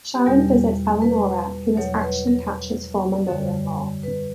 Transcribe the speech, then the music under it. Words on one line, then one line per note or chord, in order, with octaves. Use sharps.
Sharon visits Elanora who is actually Catch's former mother-in-law.
G4
E2 B2 G3 A#4
B4
E2 B2 F#3 C#5
B4
A#4
D5
F#2 D3 G3 C#5
B4